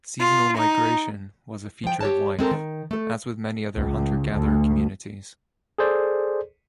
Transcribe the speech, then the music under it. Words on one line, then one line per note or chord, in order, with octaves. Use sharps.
Seasonal migration was a feature of life, as with many other hunter-gatherer communities.
F4
D#4
F3 G5
G4 C#5 A5
G#3 C4 A4 A#4
D#3
A3 A4
C#2
D2
G#4 A4 C5 D5